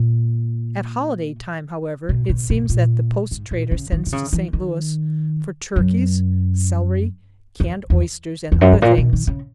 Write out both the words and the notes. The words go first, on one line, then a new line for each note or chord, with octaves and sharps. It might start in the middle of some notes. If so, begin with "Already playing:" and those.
At holiday time, however, it seems that the post trader sends to St. Louis for turkeys, celery, canned oysters, and other things.
Already playing: A#2
B2
B2
B2
A#2
G#2
A#2
C#3
D#3
D#3
C#3
E3
D#3
F#2
E2
E2
E2
F#2
G#2
A#2
B2
D#3
C#3